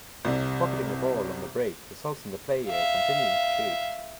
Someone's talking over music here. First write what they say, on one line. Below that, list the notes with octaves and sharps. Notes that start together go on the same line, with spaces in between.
Pocketing a ball on the break results in the player continuing to shoot.
C2 C3
E5 F5